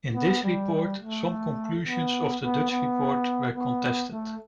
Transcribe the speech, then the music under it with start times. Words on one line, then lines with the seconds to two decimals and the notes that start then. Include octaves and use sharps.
In this report some conclusions of the Dutch report were contested.
0.15 B3
0.43 G3
1.00 A3
1.85 B3
2.43 B3
2.70 B3
3.55 B3
4.11 A3